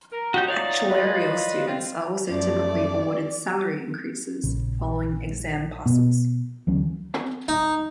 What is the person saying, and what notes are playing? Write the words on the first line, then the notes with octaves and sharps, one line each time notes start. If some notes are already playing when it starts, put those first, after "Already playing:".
Actuarial students are also typically awarded salary increases following exam passes.
A#4
F3 F#3 D#4 F#4 G4 G6
C#5 D5 F5
F4 B4 D#5
C4 F4
F#2 F3 A3 D5
A#1 C#3
B2 B3
D2 E3 F#3 C#4
D#4